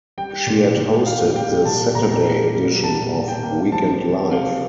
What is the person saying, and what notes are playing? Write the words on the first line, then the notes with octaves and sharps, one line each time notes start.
She had hosted the Saturday edition of "Weekend Live".
G3 G5
A#2
A#2
A#3 F5
F5
G3 G5
A#2 A5
A#2 A#5
A#3
G3
A#2 A5
A#2
G5
A#3
F3 A5
C3
C3 F5